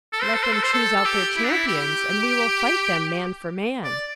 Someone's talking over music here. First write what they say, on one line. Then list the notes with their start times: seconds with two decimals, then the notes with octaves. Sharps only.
"Let them choose out their champions, and we will fight them, man for man."
0.13 A4
0.23 C5
0.33 A4
0.43 C5
0.53 A4
0.63 C5
0.73 A4
0.96 A4
1.05 G4
1.36 E4
1.44 D4
1.52 E4
1.67 G4
3.84 D5